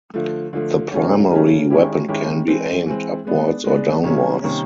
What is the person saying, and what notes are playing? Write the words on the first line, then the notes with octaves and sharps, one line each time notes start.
The primary weapon can be "aimed" upwards or downwards.
D3 F3 A3
D3 F3 A3
C#3 F#3 A3 C#4
C#3 F#3 A3 C#4
D#3 G#3 C#4 E4 G4
D#3 G#3 C#4 E4 G4
E3 G#3 C4
E3 G#3 C4
G#3 B3 D4
G#3 B3 D4
C3 D#3 G3 A#3 C#4
C3 D#3 G3 A#3 C#4